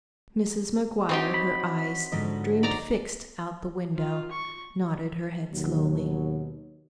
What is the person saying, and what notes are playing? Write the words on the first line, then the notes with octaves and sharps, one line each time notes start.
Mrs. McGuire, her eyes dreamily fixed out the window, nodded her head slowly.
C4 D#4 F#4 G4 C5 C#5
B5
G#2 D3 F3 D#5
D#4 D5 A#5
F4
C#6
D#2 B2 F#3